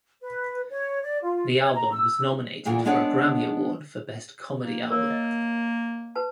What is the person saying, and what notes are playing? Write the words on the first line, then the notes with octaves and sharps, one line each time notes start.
The album was nominated for a Grammy Award for Best Comedy Album.
B4
C#5
D5
F4
C#5
A#5
E6
E2 A#2 E3 A#4
G#3 B3 D4 A#4 C#5 F#5
A#3
A#3 A#4 C#5
D#5
B4 A5